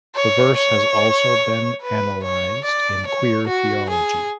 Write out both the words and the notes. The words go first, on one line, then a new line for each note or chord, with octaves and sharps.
The verse has also been analyzed in queer theology.
C#5
C#5
B4
C#5
D5
C#5
F#4
G#4